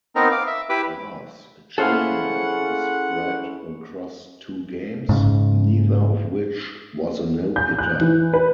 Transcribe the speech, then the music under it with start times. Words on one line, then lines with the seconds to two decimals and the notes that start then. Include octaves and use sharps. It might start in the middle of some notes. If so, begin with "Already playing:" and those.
Barr's achievement was spread across two games, neither of which was a no-hitter.
0.16 B3 C4 D#4 A#4
0.32 F5 D6
0.47 E5
0.69 E4 G4 B4 B5 D6
1.78 C#4 E4 G#4 A4 B4 C5 F5 F#5
5.09 G#2 C#3
7.56 G6
7.79 F#6
8.01 E3
8.34 B4